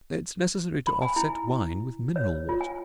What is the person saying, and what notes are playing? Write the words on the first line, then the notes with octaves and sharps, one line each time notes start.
It's necessary to offset wine with mineral water.
B5
G#5
E4
C#5
F4
G#5